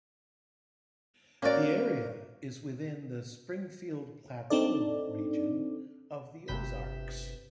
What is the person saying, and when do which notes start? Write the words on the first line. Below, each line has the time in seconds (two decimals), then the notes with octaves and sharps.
The area is within the Springfield Plateau region of the Ozarks.
1.42 A#3 C#4 F#4 A#4 D5
4.50 C4 D4 D#4 A4 D5
6.47 G1 C3 B4 G6 B6 E7